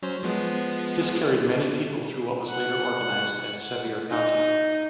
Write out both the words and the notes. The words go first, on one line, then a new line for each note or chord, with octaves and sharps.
This carried many people through what was later organized as Sevier County.
F#3 C#4 C5
F3 G#3 B3
F#5
D#4